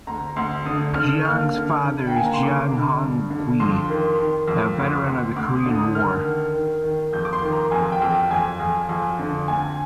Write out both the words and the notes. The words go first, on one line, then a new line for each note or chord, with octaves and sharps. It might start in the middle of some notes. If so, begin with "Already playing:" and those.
Jiang's father is Jiang Hongqi, a veteran of the Korean War.
D2 A#5
D2 C6
D3 D#6
D3 F6
D#2 F6
D3
D3
G5
D#2 G#5
A#5
C6
D3 D6
D3
G2
D3
F2 C6
D#3
D#3
F2
D2
D2
D2 D6
D#6
D3
D#6
D#3 F6
D#3
D#3
D#3
F2 G6
D6
C6
D#3
A#5
F2 G#5
G5
F2
G5
F2 G#5
F2
F2
D3
D2 G#5